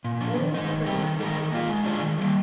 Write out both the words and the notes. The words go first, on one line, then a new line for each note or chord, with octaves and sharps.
The old prince interrupted her.
A#2
F3 A#3 D4
D#3
G#3 D#4
D#3
G3 C4 G4
D#3
G#3 D#4 A#4
D#3
A#3 F4
G#3
D4 F4 G#4
D#3
G3 A#3